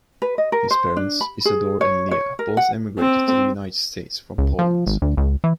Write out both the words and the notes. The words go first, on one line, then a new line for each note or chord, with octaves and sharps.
His parents, Isidor and Leah, both emigrated to the United States from Poland.
B4
D#5
A#4
C5
D4
B5
G#4
C#5
C#5
A#4
F#5
C4
C#2
F3
G#1
D2
C#2
E3